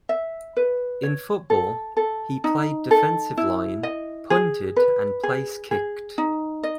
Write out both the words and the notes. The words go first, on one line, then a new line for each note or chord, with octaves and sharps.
In football, he played defensive line, punted and place kicked.
E5
B4
C#5
A4
A4
D#4
A4
E4
D#5
G#4
B4
G#4
G#4
D#4
D#5